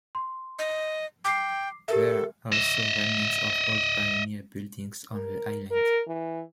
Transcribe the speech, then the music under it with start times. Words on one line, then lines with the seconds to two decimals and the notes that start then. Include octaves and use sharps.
There are also remnants of old pioneer buildings on the island.
0.15 C6
0.59 D#5
1.25 G5 D6 C7
1.88 G4 A4 A#4 E5
2.52 D#5 E5
5.13 A#4
5.71 A#4
6.07 E3